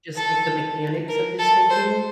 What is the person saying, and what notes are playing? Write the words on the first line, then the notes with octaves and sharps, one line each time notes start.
just like the mechanics of his thinking
A4
A#4
A4
C5